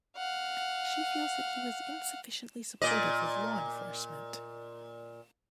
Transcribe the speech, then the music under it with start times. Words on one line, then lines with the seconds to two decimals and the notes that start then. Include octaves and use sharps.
She feels that he was insufficiently supportive of law enforcement.
0.17 F5 F#5
2.82 A#2 D5 D#5